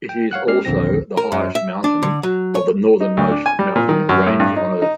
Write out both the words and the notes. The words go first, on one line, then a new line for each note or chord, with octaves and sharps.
It is also the highest mountain of the northernmost mountain range on Earth.
G5
C#5 F5 F#5 F#6
G#3 C#4 G4 F6 C7
A#1 D#2 D3 F3 C4 A#6
A#4
F#2
E5
D4
D3
F#3
C#5
D#4
D2
D4
G#5
G3
A#2
D#3
F#2
A2
G2
D#4
D#4